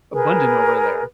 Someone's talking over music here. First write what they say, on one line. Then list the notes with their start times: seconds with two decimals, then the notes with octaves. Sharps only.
abundant over there.
0.12 G#4 A#4 B4